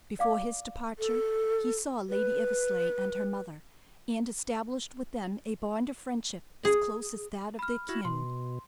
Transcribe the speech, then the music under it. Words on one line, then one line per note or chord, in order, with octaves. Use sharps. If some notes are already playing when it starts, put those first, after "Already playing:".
Before his departure he saw Lady Eversleigh and her mother, and established with them a bond of friendship as close as that of their kin.
D5 F5 D6
A4
B4
G#4
B5 F6
E4 F#4
B2 C6